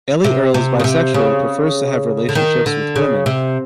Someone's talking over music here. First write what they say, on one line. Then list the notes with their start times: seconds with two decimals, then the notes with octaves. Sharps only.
Elli Erl is bisexual and prefers to have relationships with women.
0.24 C3
0.54 C3
0.80 C#3
0.84 C3
1.14 C#3
2.29 D3
2.35 D#3
2.66 D3
2.96 C#3
3.26 C3